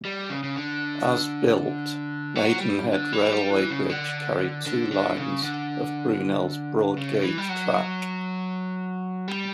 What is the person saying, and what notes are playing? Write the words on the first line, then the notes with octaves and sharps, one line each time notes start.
As built, Maidenhead Railway Bridge carried two lines of Brunel's broad gauge track.
G3
C#3
C#3
D3
F#3
G3
D3
E3
G3
E3
C#3
D3
D3
D3
C#3
D3
C#3
E3
G3
F#3
G3